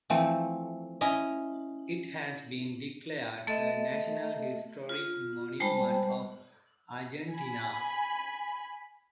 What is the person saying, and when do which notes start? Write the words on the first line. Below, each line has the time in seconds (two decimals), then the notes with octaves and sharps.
It has been declared a National Historic Monument of Argentina.
0.10 E3 F3 A3 C4
1.01 C#4 E4 D#5
3.47 A3 A4 D#5 E5
4.89 F4
5.60 G3 G#3 C5 G5 A5 B5
7.31 G#5 B5